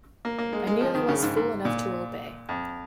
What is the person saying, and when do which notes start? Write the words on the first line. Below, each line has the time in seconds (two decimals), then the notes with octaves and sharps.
I nearly was fool enough to obey.
0.25 A#3
0.38 A#3
0.53 G#3
0.67 G#3
0.81 F3
0.95 D#3
1.09 C#3
1.22 G#2
1.37 G#2
1.65 A#2
2.49 F2